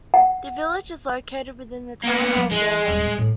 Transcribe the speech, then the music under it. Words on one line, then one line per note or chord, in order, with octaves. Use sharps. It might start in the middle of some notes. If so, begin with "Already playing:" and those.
The village is located within the Town of Lowell.
F#5
A#3 B3
F#3
E3 G#3
D#1 G#1
A2
A2